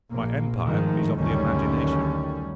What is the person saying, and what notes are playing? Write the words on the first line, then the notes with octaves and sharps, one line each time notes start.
My empire is of the imagination.
A#1 A#3
G#2 D#3 F3 G#3 A3
F#1 D2 D3 D#3 G3 C#4